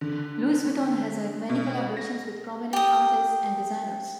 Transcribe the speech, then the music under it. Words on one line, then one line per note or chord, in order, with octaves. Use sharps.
Louis Vuitton has had many collaborations with prominent artists and designers.
D3
B2
A#6
G4 D#6